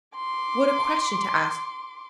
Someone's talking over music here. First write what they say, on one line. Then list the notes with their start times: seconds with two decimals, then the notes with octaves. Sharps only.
What a question to ask!
0.16 C6 D6